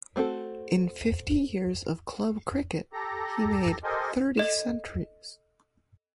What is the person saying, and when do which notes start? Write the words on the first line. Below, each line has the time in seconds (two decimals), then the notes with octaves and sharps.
In fifty years of club cricket he made thirty centuries.
0.16 A3 C4 F#4 A4
2.93 G4 A4 A#5
3.83 G4 A4 A#4 C5 D#5 G#5
4.37 A4 D#5